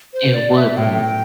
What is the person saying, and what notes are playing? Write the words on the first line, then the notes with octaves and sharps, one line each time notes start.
It would be.
C5
D5
E5
A2 G5